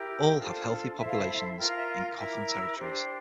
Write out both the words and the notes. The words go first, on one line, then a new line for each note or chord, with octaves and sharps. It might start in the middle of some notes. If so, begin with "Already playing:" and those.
All have healthy populations in Cofan territories.
Already playing: E4 G4 A#4
D4 F4 A4 C5 A5
F5
E4 A4 C5 E5
F5
E5
F4 A#4 G5
F5
E5
F5
E4 A#4 G5
D6
E6
D4 G4 C5